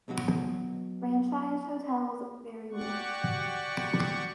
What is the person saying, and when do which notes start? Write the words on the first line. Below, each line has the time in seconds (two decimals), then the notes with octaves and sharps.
Franchised hotels vary more.
0.08 B1 B2 F#3 F#4
2.72 F#4 G4 D5 F#5 C#6